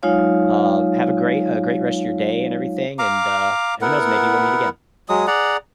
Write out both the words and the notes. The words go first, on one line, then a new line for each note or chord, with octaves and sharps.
Um, have a great, uh, great rest of your day and everything, and, uh, who knows? Maybe we'll meet again.
F#3 G#3 D#4 F4 C#5 F5
F5 A#5 D6
B3 E4 A#4 F#5
F#3 G#3 D#6
G#4 D5 F#5 A#5